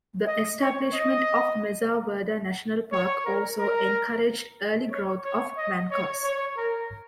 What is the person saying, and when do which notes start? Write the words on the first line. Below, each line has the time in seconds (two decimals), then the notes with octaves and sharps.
The establishment of Mesa Verde National Park also encouraged early growth of Mancos.
0.27 D#5
0.59 C#5
0.93 D#5
2.92 C#5
3.25 A#4
3.58 A#4
4.91 C#5
5.24 C#5
5.57 D#5
5.91 C#5
6.24 C#5
6.57 A#4